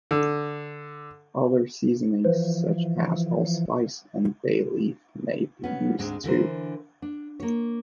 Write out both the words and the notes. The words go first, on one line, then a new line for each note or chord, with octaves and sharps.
Other seasonings such as allspice and bay leaf may be used too.
D3
E3 F3
B3 C#4
D2 G#2 G#3 C4 D4
D3 E3 A#4 C5
D4
A#3 C#5